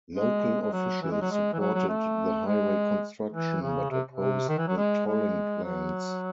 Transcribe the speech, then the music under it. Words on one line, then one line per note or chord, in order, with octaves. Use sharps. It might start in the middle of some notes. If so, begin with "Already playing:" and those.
Local officials supported the highway construction, but opposed the tolling plans.
G#3
G#3
F#3
E3
G#3
F#3
G#3
E3
F#3
F#3
A3
G#3
E3
C#3
C3
C3
D#3
E3
F#3
G#3
G#3
F#3